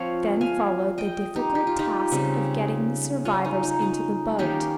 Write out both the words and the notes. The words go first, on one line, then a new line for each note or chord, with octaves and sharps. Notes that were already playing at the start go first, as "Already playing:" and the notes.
Then followed the difficult task of getting the survivors into the boat.
Already playing: F3 C4 C#5 F5
F5 G#5
D#5 G5
D#4 G4
G4
F4
D#4 G4
C#3 G3 C4
C#4 F4
D#4
D#4
D#4
D#3 A#3 C#4 D#4 G4